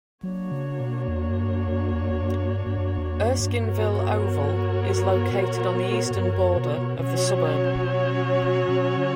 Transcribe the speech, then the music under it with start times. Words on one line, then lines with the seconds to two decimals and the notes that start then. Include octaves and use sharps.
Erskineville Oval is located on the eastern border of the suburb.
0.23 F#3 A#3 D4 F#4 C#5
0.52 C#3
0.80 B2
1.08 E2
1.30 F#2
1.43 G2
1.50 F#2
1.67 E2
1.71 F#2
1.92 E2
2.01 F#2
2.11 E2
2.21 F#2
2.49 G2
2.66 G2
2.77 F#2
2.98 E2
3.20 F#2
3.40 G2
3.62 B3 F#4 A#4 C#5
5.31 A#2
6.10 A#2
6.15 G2
6.36 F#2
6.57 B2
6.78 B2
6.99 B2 F#3 C#4 F#4 C#5
8.68 B2
8.97 C#3